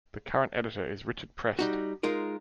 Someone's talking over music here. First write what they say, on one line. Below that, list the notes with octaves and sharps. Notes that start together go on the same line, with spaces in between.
The current editor is Richard Prest.
G3 D#4 F#4
G#3 D#4 F4 A#4